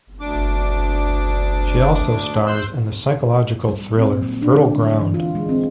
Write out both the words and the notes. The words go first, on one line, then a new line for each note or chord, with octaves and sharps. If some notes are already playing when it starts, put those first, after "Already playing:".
She also stars in the psychological thriller Fertile Ground.
D2 D4 D6
C5 C6 E6 F#6
G3
C4
A#2
F#3
D4
D3
G#3
F#3
E3
F4
G#3
C4